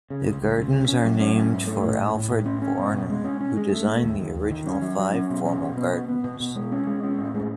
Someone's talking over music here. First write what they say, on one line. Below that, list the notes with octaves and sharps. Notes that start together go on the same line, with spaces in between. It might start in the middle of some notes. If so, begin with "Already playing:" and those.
The gardens are named for Alfred Boerner, who designed the original five formal gardens.
C#3
C#2
C#2
C#2
C#3
C#4
F#3
C#4
C#4
G#2
A3
A2
A2
A2
A2
C#4
C#4
B2
B2
G#3
C#4
C#4
G#3
A3
A3
D#2
D#2
D#2
D#3
C#4
F#3
F#3
C#4
B2
C#4
B2
B3
B3
B3
B2
B2
G#3
C#4
G#3
C#4
A2
G#3